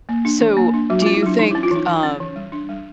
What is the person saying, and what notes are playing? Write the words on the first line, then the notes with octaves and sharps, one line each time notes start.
So, do you think, um,
A#3
D4
E3
A#3
D4
F#3 F#4
F4
C#4
E4
F#3 D4
E3 D#4
E4
C#4
F4
E3 D#4
E3 D#4
C#4
E3
G3
D4
G3